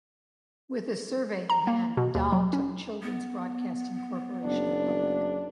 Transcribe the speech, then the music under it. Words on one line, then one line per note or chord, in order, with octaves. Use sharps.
With the survey in hand, Dahl took Children's Broadcasting Corporation public.
A#5
A#3
B2
D#2
F#3
C#4
B3
F#1 D4